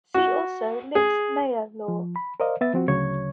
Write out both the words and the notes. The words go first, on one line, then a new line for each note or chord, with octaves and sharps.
See also: Lipps-Meyer law.
F#4
G#4
F3
B5
A#4 C5 D5 D#5 F5
B3 B4 E5 A6
F3 C4 F#4
D2 C#3 F#3 C#5 C#6 G#6